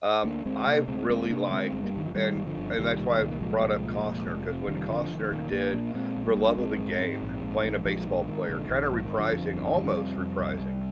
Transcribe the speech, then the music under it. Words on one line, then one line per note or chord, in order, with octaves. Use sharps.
um, I've really liked and and that's why I've brought up Costner, 'cause when Costner did For Love of the Game, playing a baseball player, kinda reprising- almost reprising-
D2 A#3 D4
D2 G#3 C4
C3 A#3 D4
D2 G#3 C4
D2 G#3 C4
C3 A#3 D4
D3 G#3 C4
G1 G#3
G3 A#3
G2 D#3
F3
G2 D#3 G3
G1
D3 F3
G1
C2 D#3 G3
A#2
D#3 G3
C2
A#3
A#2 F3 G#3
C2
A#2
F1
F1
C3
F1 D#3 G3
D#3
F2 D3 F3
F3
F1 D#3
A#2 D#3
A#1 A#3 D4
A#2 A#3 D4
A#2 G#3 C4
A#1
G3 A#3
A#1
D4
A#1 G#3 C4
G#2
G#2
A#1
G#2
A#1
A#1 F3 G#3
G#2 D#3
G#2 D#3
A#1 D3
A#1 D#3
G#2 F3
D#3
G1
D3 F3
F2
G1
F2 D#3 G3
C3
F2
C2
C2